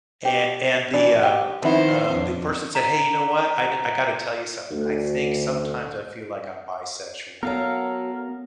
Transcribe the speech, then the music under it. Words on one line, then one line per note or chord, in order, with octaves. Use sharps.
an and the, um uh, the person said, "Hey, you know what? I do I gotta tell you something. I think sometimes I feel like I'm bisexual,"
G4
E3 D4
G4
D#3 F3 B3 C4 E4 C5
F2 D4
A#5 B6
D2
F#3 B3 A4 A#4 F5